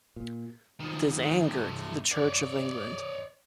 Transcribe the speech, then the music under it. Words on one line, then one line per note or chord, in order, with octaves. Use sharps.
This angered the Church of England.
A#2
D#3 F3
G2 C3
C#5 D5